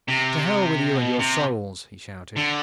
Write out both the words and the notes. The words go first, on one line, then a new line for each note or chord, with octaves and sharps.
"To hell with you and your souls!" he shouted.
C3
B2
C3
D3